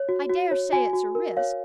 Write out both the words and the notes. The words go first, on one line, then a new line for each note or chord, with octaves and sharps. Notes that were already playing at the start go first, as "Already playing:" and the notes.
I dare say it's a risk.
Already playing: C#5
F#4
F#4
C#5
F#4 G#5
F#4
A#4
C#5 F5